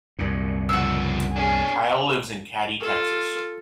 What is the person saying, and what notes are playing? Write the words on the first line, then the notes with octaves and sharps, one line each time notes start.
Kyle lives in Katy, Texas.
C2 F#2 A#2
C#3 F3 F#5 E6
C#4 D4 G#4
F4 A4